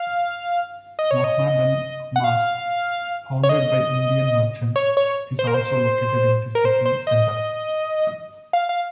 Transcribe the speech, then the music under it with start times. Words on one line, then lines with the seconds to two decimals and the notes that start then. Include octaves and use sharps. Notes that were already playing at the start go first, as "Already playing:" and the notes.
Muhammadan Mosque, founded by Indian merchant, is also located in the city centre.
Already playing: F5
0.99 D#5
1.11 C#5
1.24 D#5
2.16 F#5
2.24 F5
3.43 C#5
3.49 D#5
4.76 C#5
4.97 C#5
5.39 C5
5.47 A#4
5.54 C5
6.55 A#4
6.65 C5
6.85 C5
7.07 D#5
8.53 F5
8.69 F5